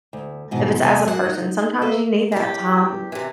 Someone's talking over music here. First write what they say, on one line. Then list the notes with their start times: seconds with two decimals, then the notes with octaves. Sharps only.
If it's as a person, sometimes you need that time
0.13 D2
0.51 G#2 B2 E3
0.81 E2 C3 G3 E5 G#5 A5
1.05 F#2 A#3 F#4 G4 F#5
1.26 D#4
1.82 A#3 A4 B4 D5 E5
2.32 E2 G4
3.12 C3 E3